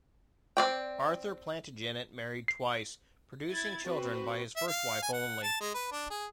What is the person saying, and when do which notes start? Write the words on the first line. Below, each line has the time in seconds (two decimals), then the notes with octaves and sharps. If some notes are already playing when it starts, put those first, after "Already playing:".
Arthur Plantagenet married twice, producing children by his first wife only.
0.57 C4 D5 G5
2.48 C7
3.51 E4 G#6 A6
3.85 C4 F#4 B4
4.57 E5
4.68 F5
5.02 G#5
5.13 F#5
5.43 A5
5.60 G#3
5.75 B4
5.92 D4
6.10 G#4